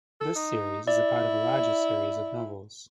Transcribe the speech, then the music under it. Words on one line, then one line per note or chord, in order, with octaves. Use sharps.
This series is part of a larger series of novels.
A4
D#4
E4 D5